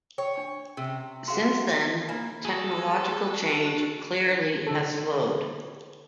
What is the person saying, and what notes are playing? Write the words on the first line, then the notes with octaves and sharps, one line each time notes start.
Since then, technological change clearly has slowed.
C#5 G5
D4 G#5 C#6
C3 C#4
F#4 G#4 F5 C6
A#3 G#5 B5
F#4 G#4 A4
D3 A4